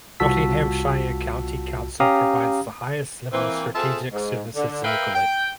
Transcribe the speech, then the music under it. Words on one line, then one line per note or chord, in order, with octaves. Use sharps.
Nottinghamshire County Council provides the highest level strategic services locally.
C2 F4 F#4 A5 E6 B6
C#4 G4 F5 A#5 D#6
E3 A#3 C4
C4 F4 G#4 A4 E5 A5
G#2
D3
A#4 B4 E5 F5 G5
G5